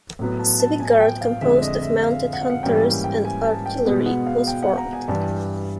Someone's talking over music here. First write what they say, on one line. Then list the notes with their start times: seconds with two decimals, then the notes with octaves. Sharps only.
A civic guard, composed of mounted hunters and artillery, was formed.
0.19 A2 F#3 B3
0.39 A5
0.60 A5
0.80 G#5
1.01 G5
1.21 F5
1.41 F2 D3 F3 G#3 E5
1.62 D#5
1.83 E5
2.03 F5
2.33 F#5
2.41 F5
2.50 F#5
2.63 G#2 E3 G3 A#3 C#4 G5
3.04 G5
3.25 G#5
3.45 A5
3.66 G5
3.86 B2 G#3 B3
4.06 F#5
4.26 F5
4.47 G5
4.63 F#5
4.77 A#5
4.93 G#5
5.08 G2 E3 G3 A5